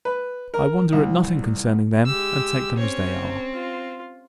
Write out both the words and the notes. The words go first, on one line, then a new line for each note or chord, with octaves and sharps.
I wonder at nothing concerning them, and take them as they are.
B4
A#4
C2
G#3 G4 E6
C4 C#4 C#5
F4